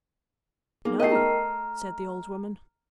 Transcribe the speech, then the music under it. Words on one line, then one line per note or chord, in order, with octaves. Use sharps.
"No," said the old woman.
A#3 B3 D#4 G#4
A3 A#4 D#5 G5 C7
A#5 F6